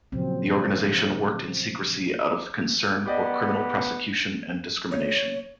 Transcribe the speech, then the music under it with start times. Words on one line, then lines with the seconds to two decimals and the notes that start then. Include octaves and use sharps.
The organization worked in secrecy out of concern for criminal prosecution and discrimination.
0.12 A#2 C#3 F3 F#3 C4
3.06 B3 G4 D5 D#5
4.91 C#5